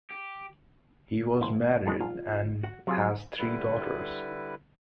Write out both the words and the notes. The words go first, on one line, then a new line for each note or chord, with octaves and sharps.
He was married and has three daughters.
G4
A1 E4 C5
F2 A2 G#3
A#1 G#2 F4
F#4 F#5
C3 F#3 F4 G#4
D3 G3 E4 B4